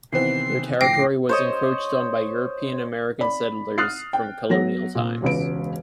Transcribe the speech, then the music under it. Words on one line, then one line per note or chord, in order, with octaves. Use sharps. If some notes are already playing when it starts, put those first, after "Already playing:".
Their territory was encroached on by European-American settlers from colonial times.
C3 D#3 E3 B3 C4 C7
A2 D3 F3 G5 D6 A#6 C7 D7
C5 C#5 D#5
D5 B5
D#6 F6 F#6 A6 C7
G5
F#3 B3 A#6
A#2
E1 C#2 B4 D7